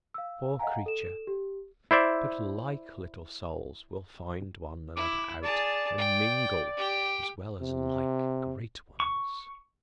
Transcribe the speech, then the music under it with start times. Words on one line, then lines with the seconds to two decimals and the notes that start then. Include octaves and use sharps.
Poor creature!--But LIKE little souls will find one another out, and mingle, as well as LIKE great ones.
0.14 F5 E6
0.59 D#5 F5 F#5 G#5 A#5
0.86 A4 E7
1.27 G4
1.91 E4 C5 D5 E5
4.96 E4 D6
5.43 G#4 D5 A5
5.98 G5
6.77 G4 G5
7.61 C3
9.00 C#6